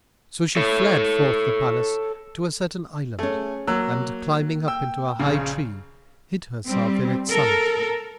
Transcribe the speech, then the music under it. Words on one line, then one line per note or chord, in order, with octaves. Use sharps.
So she fled forth the palace to a certain island, and climbing up into a high tree, hid herself in its summit.
A4 C#5
A3 C#4 G#4
F#3 A#3 E6
G5 E6
A#1 C#3
G3 C4
A4 A#4